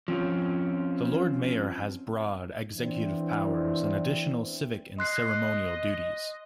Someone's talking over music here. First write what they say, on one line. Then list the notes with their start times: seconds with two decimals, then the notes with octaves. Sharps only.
The Lord Mayor has broad executive powers and additional civic and ceremonial duties.
0.08 F3 C4 C#4
2.76 E3 B3 C4 D4 E4
4.99 D#5 C6 F#6 C7